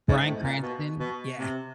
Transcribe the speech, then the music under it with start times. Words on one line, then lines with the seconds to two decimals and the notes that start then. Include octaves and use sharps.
Bryan Cranston? Yeah,
0.08 G#2
0.27 A2
0.44 A#2
0.62 B2
0.99 B2
1.35 C3